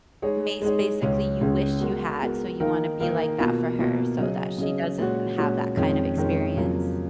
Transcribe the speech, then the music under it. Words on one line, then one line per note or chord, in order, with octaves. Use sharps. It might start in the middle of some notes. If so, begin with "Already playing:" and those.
miss basically you wish you had, so you wanna be like that for her, so that she doesn't have that kind of experience.
G#3 D#4 G#4 C#5
G#3 D#4 G#4 C#5
C#2 C#3 G#3 C#4
C#2 C#3 G#3 C#4
G#3 B3 F#4 A#4
G#3 B3 F#4 A#4
D#3 A#3 D#4 A#4 F5
D#3 A#3 D#4 A#4 F5
B2 A#3 F4
B2 A#3 F4
C#3 F#3 C#4 G#4 D#5
C#3 F#3 C#4 G#4 D#5
A#2 G#3 C#4 F#4
A#2 G#3 C#4 F#4
F2 D#3 G#3 C#4
F2 D#3 G#3 C#4
F2 C#3 F#3 A#3 F4